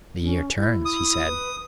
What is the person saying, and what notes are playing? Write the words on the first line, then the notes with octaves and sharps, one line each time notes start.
"The year turns," he said.
C#4
E4
D#6
B4